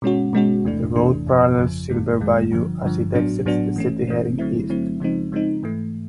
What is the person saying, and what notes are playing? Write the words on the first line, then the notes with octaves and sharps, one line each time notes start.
The road parallels Silver Bayou as it exits the city heading east.
B2 G#3 C#4 F#4
B2 G#3 C#4 F#4
E2 C3 E3 A3 D4
E2 C3 E3 A3 D4
F2 C#3 F3
F2 C#3 F3
F#2 D#3 G#3
F#2 D#3 G#3
G2 D3 F3
G2 D3 F3
A2 F#3 B3 D4 F#4
A2 F#3 B3 D4 F#4
E3 A3 C#4
E3 A3 C#4
D3 F#3 A3 C4 E4
D3 F#3 A3 C4 E4
C#3 F3 G#3 C4 D#4
C#3 F3 G#3 C4 D#4
G#2 E3 A3